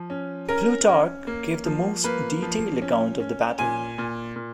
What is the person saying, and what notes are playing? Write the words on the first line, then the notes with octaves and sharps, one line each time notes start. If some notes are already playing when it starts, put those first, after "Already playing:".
Plutarch gave the most detailed account of the battle.
Already playing: F3
C#4
C#4 A#4
C#4
A#3
F3
A#3 B4
F3
C#4
C#4
A#2 G#5
A#2
A#2